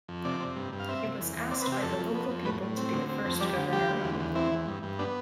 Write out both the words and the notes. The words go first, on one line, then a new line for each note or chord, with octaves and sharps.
He was asked by the local people to be the first Governor of Oklahoma.
F2
C3 D5
C3
G2
G2
F5
C4 E5
C3
E2
E2
C4 D5
B4
C3 G4
F2 A4
F2
B3
F2
A2 B4
A2
C4
D2
C4
F2
G3 D5
D2
G3 G4
D2
E2
E2
C4 E4
E2
G2
G2
B3 D4